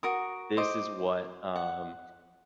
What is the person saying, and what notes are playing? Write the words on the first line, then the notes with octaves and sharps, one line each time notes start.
"This is what" um,
F#4 A#4 D#6
C5 D#5 D6
F#5